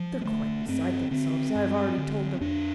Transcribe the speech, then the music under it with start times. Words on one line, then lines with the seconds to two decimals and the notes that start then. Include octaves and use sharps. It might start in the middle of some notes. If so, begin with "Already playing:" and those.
"They're quite beside themselves; I have already told them..."
Already playing: F3
0.21 A#3
0.25 D3 A3
0.68 G2 C4
1.11 D3 C4
1.55 G2
1.98 D3
2.41 F2 D4